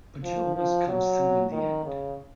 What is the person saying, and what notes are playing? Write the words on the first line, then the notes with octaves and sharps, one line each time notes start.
But she always comes through in the end.
F3
F3
F#3
D#3
C#3